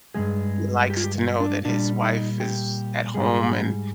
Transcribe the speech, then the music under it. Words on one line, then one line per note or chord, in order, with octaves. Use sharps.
He likes to know that his wife is at home and,
G2 F3 G#3 G#4
G4
F4
G4
D4
A#2 G3 D4
D#4
G4
G#2 G3 G#4